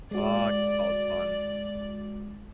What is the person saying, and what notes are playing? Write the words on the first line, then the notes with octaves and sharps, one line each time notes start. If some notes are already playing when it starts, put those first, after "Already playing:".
Ah, kickball is fun.
G#3 F#4 D5